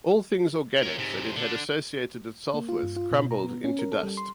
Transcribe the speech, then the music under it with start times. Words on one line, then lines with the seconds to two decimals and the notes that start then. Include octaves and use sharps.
All things organic that it had associated itself with crumpled into dust.
0.83 C#4 A#4
0.98 G#2 C3
1.36 D3
2.54 A#3
2.69 F4
2.83 G2
2.96 F4
3.11 B2
3.31 A#5
3.44 B3
3.64 C#4
3.79 A#4
3.92 A4
4.03 G3
4.17 C6